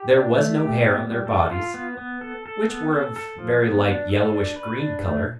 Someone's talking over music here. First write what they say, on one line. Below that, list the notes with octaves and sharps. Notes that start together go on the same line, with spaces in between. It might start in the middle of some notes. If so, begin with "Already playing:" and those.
There was no hair on their bodies, which were of a very light yellowish-green color.
Already playing: G4
D4
A3
G4
B3
G3
A4
F4
B3
B3
A4
A4
B3
A4
A4
F3
B3
D4
A4
D4
B4
D4
A3